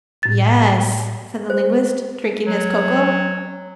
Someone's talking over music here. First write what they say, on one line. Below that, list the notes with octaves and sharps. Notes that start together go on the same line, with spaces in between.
"Yess," said the linguist, drinking his cocoa.
A2 A6
C5
F#3